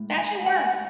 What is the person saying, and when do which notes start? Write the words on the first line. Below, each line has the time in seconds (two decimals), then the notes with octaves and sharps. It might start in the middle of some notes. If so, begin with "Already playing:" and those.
That should work.
Already playing: A2 G#3
0.18 G#5
0.46 F#5
0.56 G#5
0.65 F#5